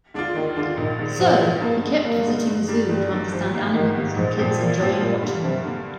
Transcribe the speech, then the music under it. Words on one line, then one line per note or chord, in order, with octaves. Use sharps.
So, he kept visiting a zoo to understand animals and kids enjoying watching them.
D3 G#3 D4 F4
D#2 D#3
D3 G#3 D4 F4
A#1 D#3
G#2 D#3 G#3
A#1 F3
G#2 D#3 G#3
G2 A#3
D3 G#3 D#4
G2 A#3
D3 G#3 D#4
G1
G2 D#3 G3 D4
G1 G3
G2 D#3 G3 D4
G#1 F3
G#2 D#3 G3 A#3
G#1 D#3
G#2 D#3 G3 A#3
A#1 G#2
A#2 F3 C4 G4
A#1 A#2
A#2 F3 C4 G4
G2 A#2
D3 G3 A#3
G2 C3
D3 G3 A#3